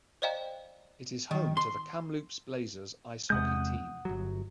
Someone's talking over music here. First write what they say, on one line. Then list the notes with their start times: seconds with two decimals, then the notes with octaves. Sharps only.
It is home to the Kamloops Blazers Ice hockey team.
0.22 C5 D5 D#5 F5 G5 A#5
1.31 D#3
1.57 C6
3.30 E2 C3 G#3 F#5 D#6 G6
4.05 G1 F#3